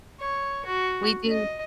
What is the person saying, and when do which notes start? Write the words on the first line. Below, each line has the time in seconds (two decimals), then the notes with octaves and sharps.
We do
0.20 C#5
0.65 F#4
1.29 D#5